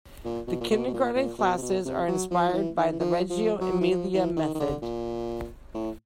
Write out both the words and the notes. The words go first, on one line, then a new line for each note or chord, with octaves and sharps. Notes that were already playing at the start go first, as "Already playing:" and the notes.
The kindergarten classes are inspired by the Reggio Emilia method.
A#2
B2
A#2
B2
B2
A#2
A#2
B2
C3
B2
C3
F#3
F3
F3
E3
D#3
E3
F3
F3
F#3
E3
F3
E3
D#3
D#3
D3
A#2
A2